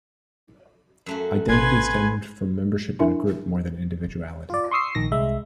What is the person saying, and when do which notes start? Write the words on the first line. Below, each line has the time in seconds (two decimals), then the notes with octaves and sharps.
Identity stemmed from membership in a group more than individuality.
1.06 F#2 A3 F#4
1.49 A1 F3 B3 B4 G#5 C6 G#6
2.99 D4 E4 A#4 E5 G#5
4.50 F4 D5
4.71 C6 C#6 D#6 E6 C7
4.95 A#1 D#3 A#6
5.11 C2 G#3 E5